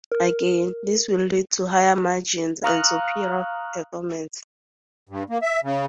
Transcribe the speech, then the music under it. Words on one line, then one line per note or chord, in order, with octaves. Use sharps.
Again, this will lead to higher margins and superior performance.
A#4
F5 A#5 C#6 D#6 F6 F#6
G2
A#3
E5
C#3